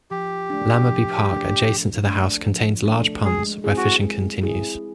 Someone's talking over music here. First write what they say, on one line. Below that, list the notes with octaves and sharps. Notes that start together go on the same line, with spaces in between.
Lamorbey Park adjacent to the house contains large ponds where fishing continues.
F3 G4
A3 D4
F3
A3 D4
F3
A3 D4
F3
A3 D4
G#3 G#4
C4 E4 G#4
F#4
G#3
C4 E4 G#4